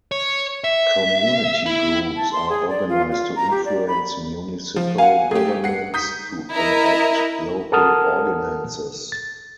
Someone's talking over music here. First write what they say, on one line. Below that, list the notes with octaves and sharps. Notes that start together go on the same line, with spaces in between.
Community groups are organized to influence municipal governments to enact local ordinances.
C#5
E5
E4
A5
C6
G#4
D5
F4
F4
A#5
G4
D5
B5
F3
F5 F#5 G#5
A3 G4 G#4
F#5 C7
D#4 D#6 G6 B6
E4 A#4 D#5 E5 A#5
A4 A#4 F#5 A5 D#6 F6
A6